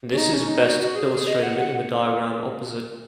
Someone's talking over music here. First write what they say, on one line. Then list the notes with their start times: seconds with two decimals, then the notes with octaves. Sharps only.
This is best illustrated in the diagram opposite.
0.13 C#4
0.18 D#4
0.33 C#4
0.48 D#4
0.65 F#4
0.80 F#4
0.95 G#4
1.11 G#4
1.27 D#5
1.43 F#5
1.59 F#5